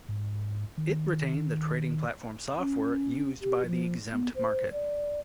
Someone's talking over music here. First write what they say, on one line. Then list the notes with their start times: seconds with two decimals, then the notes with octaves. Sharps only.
It retained the trading platform software used by the exempt market.
0.09 G#2
0.78 D#3
2.58 C#4
3.42 G4
3.66 F3
4.12 B3
4.36 C5
4.72 D5